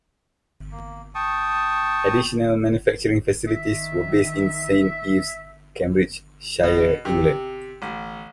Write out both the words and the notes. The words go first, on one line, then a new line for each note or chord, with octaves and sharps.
Additional manufacturing facilities were based in Saint Ives, Cambridgeshire, England.
A#3
G5 A5 C#6 D#6
D#3 E5
B2
C3
A1